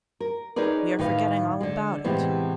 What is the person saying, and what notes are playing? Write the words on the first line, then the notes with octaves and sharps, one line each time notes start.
We are forgetting all about it.'
A#4
C#4 D#4 G#4 A#4 B4 D5
A2 D#3 B4 F5
D3 G#3
A2 C3 E3 G#3 B3